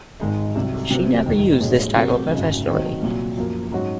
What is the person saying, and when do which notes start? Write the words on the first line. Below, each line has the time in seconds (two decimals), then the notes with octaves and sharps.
She never used this title professionally.
0.20 G#1 G#2 D#3 G#3 D#4
0.55 C2 C3 F#3
0.90 C3 F#3 C4
1.26 F1 F2 D#3
1.60 A#1 G#2 F#3 C#4 G#4
1.96 C3 F#3 C4 F#4 A#4
2.31 G#1 F#2 C#3 G#3
2.66 D#3 F#3 C4
3.02 C2 A#2 F#3
3.37 F#2 F3 A#3
3.72 G#2 F#3 C#4 F#4